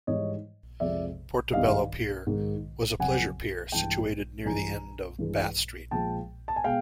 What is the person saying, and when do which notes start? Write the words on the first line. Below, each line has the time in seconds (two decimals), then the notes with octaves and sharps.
Portobello Pier was a pleasure pier situated near the end of Bath Street.
0.07 G#2 E3 G3 C#5 D#5
0.80 F2 C3 F3 G#3 D5 E5
1.53 G2 D#3 G3 D#5 F5
2.27 G#2 D#3 G#3
2.99 F2 C#3 F#3 F#5 G#5
3.72 G2 E3 G#3 G5 A5
4.45 G2 E3 G#3 G#5 A#5
5.19 G2 E3 G#3
5.91 A#2 F3 G#3 G5 A5
6.48 A5
6.56 G#5
6.64 B2 G#3 F5 G5